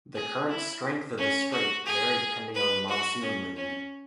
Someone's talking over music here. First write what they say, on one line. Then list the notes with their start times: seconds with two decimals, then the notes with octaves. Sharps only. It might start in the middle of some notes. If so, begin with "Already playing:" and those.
The current strength of the strait vary depending on the monsoon wind.
0.15 G#4
0.49 E4
1.17 C#4
1.52 F#4
1.86 G#4
2.54 B4
2.88 F#4
3.22 C#4
3.56 C#4